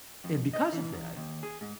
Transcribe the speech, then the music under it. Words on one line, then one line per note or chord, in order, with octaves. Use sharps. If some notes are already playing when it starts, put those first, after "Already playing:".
and, because of that,
F2
D#5
E3
E2
D#2
G#4
G#2